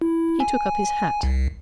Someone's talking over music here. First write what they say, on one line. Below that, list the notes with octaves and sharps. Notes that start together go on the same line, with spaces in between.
He took up his hat.
E4
G#5
C2